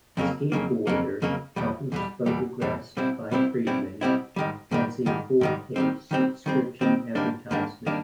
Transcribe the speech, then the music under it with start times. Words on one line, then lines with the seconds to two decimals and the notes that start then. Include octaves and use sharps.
"SkateBoarder" published photographs by Friedman as a full-page subscription advertisement.
0.17 F2 C#3 F#3 A#3
0.52 F2 C#3 F#3 A#3
0.87 F2 C#3 F#3 A#3
1.22 F2 C#3 F#3 A#3
1.56 E2 B2 G3
1.92 E2 B2 G3
2.26 E2 B2 G3
2.61 E2 B2 G3
2.97 B2 G3 C4 E4
3.31 B2 G3 C4 E4
3.67 B2 G3 C4 E4
4.01 B2 G3 C4 E4
4.36 G#2 D#3 G3
4.71 G#2 D#3 G3
5.06 G#2 D#3 G3
5.41 G#2 D#3 G3
5.76 D#3 G3 C4
6.11 D#3 G3 C4
6.46 D#3 G3 C4
6.81 D#3 G3 C4
7.15 G#2 D#3 G3 A#3 D4
7.51 G#2 D#3 G3 A#3 D4
7.86 D#3 G3 A#3 D4